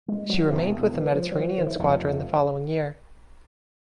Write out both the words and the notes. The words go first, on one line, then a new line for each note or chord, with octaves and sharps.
She remained with the Mediterranean Squadron the following year.
G#3
F#3
E1 E2 C3 E3
E3
F3
F#3
F3
D#3
E3
D#3
F1 F2 C3